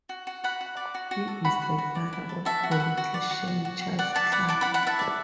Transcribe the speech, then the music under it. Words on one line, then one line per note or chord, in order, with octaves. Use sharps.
He is the father of politician Charles Clarke.
F#4
F#4
F#4 F#5 B5
F#4
D5
F#4
F#4
A4
F#4 F#5 B5
F#4
F#4
D5
E4
A4
F#4 E5 A5
F#4
F#5 B5
F#4
F#4
D5
F#4
F#4
F#4
F#4
D5 F#5
D5 E5 A5
D5 F#5 B5
E4 A5 D6
F#5 B5
E4
F#5 B5
E4 E5 A5
D5